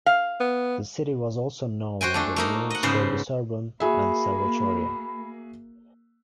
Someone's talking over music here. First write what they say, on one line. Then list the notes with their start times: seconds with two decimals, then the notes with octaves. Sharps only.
The city was also known under names Gordoserbon and Servochoria.
0.06 F5
0.40 B3
2.01 F#4 C5 G5 G#5
2.14 A3 D4 F#4
2.36 A3 A#3 D#4
2.70 D#5 F#5
2.83 G#2 C#3 B3 C5
3.80 A#3 F#4 G#4 E5 B5